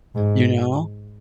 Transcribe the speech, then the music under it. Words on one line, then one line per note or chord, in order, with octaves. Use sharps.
you know?
G#2